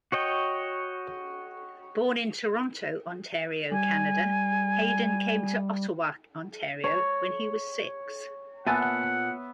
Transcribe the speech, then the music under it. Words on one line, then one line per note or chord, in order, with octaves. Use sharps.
Born in Toronto, Ontario, Canada, Haydon came to Ottawa, Ontario when he was six.
F#4 C#5 D#5 G5
G3 G#5
C#5
A#2 B3 E5 F#5 G#5 A5